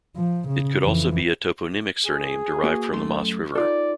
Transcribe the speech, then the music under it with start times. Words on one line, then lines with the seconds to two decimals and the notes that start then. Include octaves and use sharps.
It could also be a toponymic surname derived from the Maas river.
0.16 F3
0.48 C#3
0.83 F2 E3
2.06 G#4
2.63 A#3 F#4 B4
2.93 F#2 A3 C6
3.55 D#4 F4 A4 D5